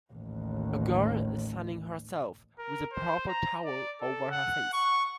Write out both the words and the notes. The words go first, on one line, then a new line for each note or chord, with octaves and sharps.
A girl is sunning herself with a purple towel over her face.
A1 D#2
A#4
C5
A#5
D5
A4
F#5
C#6